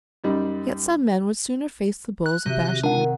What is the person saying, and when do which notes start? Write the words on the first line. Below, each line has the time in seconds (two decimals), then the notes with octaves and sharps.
Yet some men would sooner face the bulls of Bashan.
0.24 F#2 G3 D#4
2.26 F#6
2.46 C3 D#3 F#4 G4
2.84 G#3 D4 D#4 F4 A#4 F#5
2.97 D#3